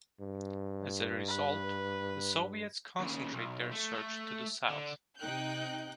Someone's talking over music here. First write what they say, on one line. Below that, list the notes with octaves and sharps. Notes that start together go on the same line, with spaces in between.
As a result, the Soviets concentrate their search to the south.
G2
B4
D#2 C#3
B1
A3
A3
D3
C3 D#4 G5 F#6 G6